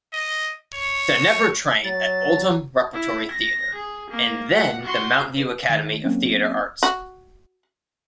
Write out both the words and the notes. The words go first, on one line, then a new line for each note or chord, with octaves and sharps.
Dynevor trained at Oldham Repertory Theatre and then the Mountview Academy of Theatre Arts.
D#5
C#5
F#3 A6
E4
A#6
G#4
A#3
F#5
F#4 C6
B4
D#3
F#3 A#3 C4 C#4
F#4